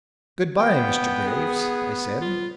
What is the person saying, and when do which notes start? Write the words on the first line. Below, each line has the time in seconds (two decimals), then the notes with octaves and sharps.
"Good-bye, Mr. Graves!" I said.
0.58 B3 G5
1.27 G#4
2.21 F4